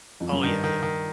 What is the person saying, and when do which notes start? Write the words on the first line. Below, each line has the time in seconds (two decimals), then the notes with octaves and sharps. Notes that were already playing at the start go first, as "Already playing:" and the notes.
Oh, yeah, yeah.
0.20 F2
0.32 F#2
0.43 G2 D#3
0.64 D#3
0.83 D#3